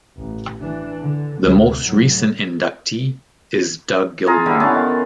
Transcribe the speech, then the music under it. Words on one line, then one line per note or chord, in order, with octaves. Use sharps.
The most recent inductee is Doug Gilmour.
A1
E3 D4
D3
D2 C3
A2 F#3
F4 G#4 F5 A#5
D3 G3 E4 F4
B3 C#4 F5 A5
D#3